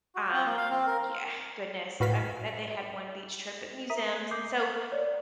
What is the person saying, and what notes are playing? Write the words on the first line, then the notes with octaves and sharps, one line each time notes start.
um, yeah Goodness, um, um, they had one beach trip at museums and so
F#4
C4
A#3
F5
C4
A#4
A2 F#4 B4 F5 B6
A#4 E5 A#5 D#6 B6 D#7
D6 D#6 G6 C7
C#5 D5